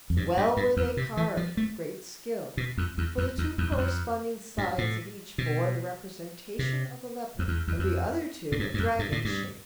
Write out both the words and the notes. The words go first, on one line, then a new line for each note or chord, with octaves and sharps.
Well were they carved with great skill, for the two corresponding sides of each bore the representation of a leopard, and the other two a dragon's shape.
F2
G2
G2
G2
E2
C3
E3
F3
A3
B2
F2
E2
F2
E2
E2
E2
F2
G2
A2
B2
C3
F2
E2
E2
F2
A2
G2
G2
F2
G2
A2
G2